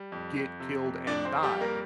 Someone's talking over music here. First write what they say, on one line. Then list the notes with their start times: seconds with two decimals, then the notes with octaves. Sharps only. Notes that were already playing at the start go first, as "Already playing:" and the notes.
get killed and die,
Already playing: G3
0.12 F2
0.36 F2
0.60 C3
0.84 F2
1.07 F2 D4 D5
1.25 C4 C5
1.31 F2
1.43 G3 G4
1.55 G3
1.61 A#3 A#4